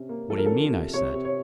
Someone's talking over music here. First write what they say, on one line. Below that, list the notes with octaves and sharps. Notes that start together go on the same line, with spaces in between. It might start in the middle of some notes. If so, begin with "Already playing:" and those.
"What do you mean?" I said.
Already playing: C3 C#4
A#3
F3 A4
A#4
C#4 A4
C3
C3 C#5
C3
C#5